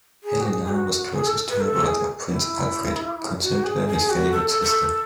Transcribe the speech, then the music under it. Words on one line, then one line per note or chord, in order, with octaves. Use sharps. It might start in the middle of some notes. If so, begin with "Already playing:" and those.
Helena was closest to her brother, Prince Alfred, who considered her his favourite sister.
G#4
F#4
G#4
G#4
F#4
G#4
A4
B4
A4
G#4
E4
F#4
G#4
G#4
F#4
A4
A4
A4